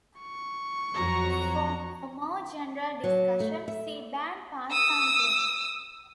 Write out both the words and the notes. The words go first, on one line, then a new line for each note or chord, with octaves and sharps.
For a more general discussion, see bandpass sampling.
C#6
F2 F#3 F#4 A#5
F#3
A3
E5
D#6 E6